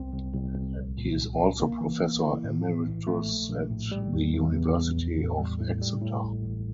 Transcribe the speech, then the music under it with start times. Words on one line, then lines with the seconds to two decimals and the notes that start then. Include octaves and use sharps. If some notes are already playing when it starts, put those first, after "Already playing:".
He is also Professor Emeritus at the University of Exeter.
Already playing: C2 C4
0.13 C2
0.34 C2
0.54 C2
0.76 A#1
0.97 A#2
1.18 A#1
1.39 A#1
1.60 A#3
1.81 E3
2.03 A#3
2.23 E4
2.44 A2
2.66 E3
2.86 A#1
3.07 A3
3.28 A#1
3.49 A#1
3.71 A2
3.91 G3
4.13 E2
4.33 E2
4.54 E2
4.76 E2
4.97 A#1
5.18 A2
5.38 G3
5.60 A2
5.81 G3
6.01 A2
6.23 A1
6.44 A1